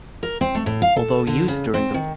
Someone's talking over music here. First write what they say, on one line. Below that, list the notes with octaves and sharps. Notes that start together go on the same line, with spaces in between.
Although used during the First World War, they were sold when the war ended.
A#4
C4
A3
A2
F5
A4
D3
C#3
C4
D#3